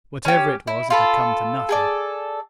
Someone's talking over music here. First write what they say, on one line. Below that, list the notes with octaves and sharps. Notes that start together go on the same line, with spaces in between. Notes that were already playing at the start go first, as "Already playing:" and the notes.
Whatever it was, it had come to nothing.
C#4 G4
E4
F4 A4 B5
G#4 A4 D5